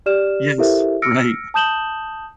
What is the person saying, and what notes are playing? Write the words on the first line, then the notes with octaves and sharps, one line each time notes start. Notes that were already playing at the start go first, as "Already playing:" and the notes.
Yes, right.
G4 D5 F6 E7
E4 G4 A4 A#4 C5 E5
E6 F6 A#6 C#7 D7
A5 D#6 G6 E7 F#7 G7